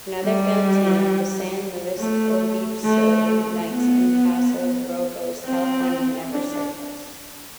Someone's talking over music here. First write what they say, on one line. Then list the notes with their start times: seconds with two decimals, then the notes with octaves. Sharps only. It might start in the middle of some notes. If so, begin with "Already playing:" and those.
Another failed team, the San Luis Obispo Knights in Paso Robles, California, never surfaced.
0.24 G3
1.98 A3
2.84 A3
3.71 B3
5.45 C4
6.32 D4